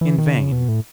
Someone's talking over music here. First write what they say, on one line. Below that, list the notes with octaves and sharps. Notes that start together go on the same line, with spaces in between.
In vain.
E3
D#3
C#3
B2
A2